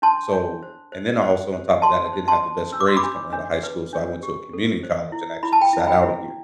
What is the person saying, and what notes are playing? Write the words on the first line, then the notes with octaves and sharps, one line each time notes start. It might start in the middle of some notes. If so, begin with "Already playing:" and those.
so and then I also, on top of that, I didn't have the best grades coming out of high school, so, I went to a community college and actually sat out a year
D4 A5 C6
D4
C5
C5
C5
C5
F#4 A5 C6
C5
A5 C6
C5
D4 E6
D6
C6
B5 D6
D4
D4
B4
D4
G4
A4
C5
E4
E4 B5
A5
G5 B5
E4
G5 B5
E4